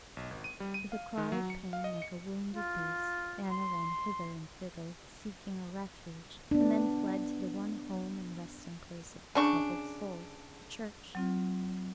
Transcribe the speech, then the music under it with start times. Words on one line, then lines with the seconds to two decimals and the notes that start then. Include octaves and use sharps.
With a cry of pain, like a wounded beast, Anna ran hither and thither seeking a refuge, and then fled to the one home and resting-place of the troubled soul--the church.
0.17 B1
0.31 G#1
0.44 D#7
0.60 G3
0.74 D#7
0.92 F5
1.17 D#3
1.32 F#3
1.50 C#7
1.73 F5
1.84 D#5
2.02 C#7
2.55 F4
3.51 C6
6.51 B3 D4
9.35 C#3 D4 C#6
11.15 F#3 C4 F4